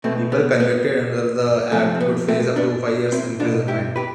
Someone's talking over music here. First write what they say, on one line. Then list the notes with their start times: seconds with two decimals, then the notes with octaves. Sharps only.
People convicted under the act could face up to five years imprisonment.
0.04 B2 A3 C4
0.32 B3
0.60 B3
1.71 C3 F3 A3
1.95 C4
2.01 B3
2.28 A3 C4
2.56 B3 D4
3.12 C4 E4
3.40 B2 D4 F4
3.68 E4 G4
3.96 G4 B4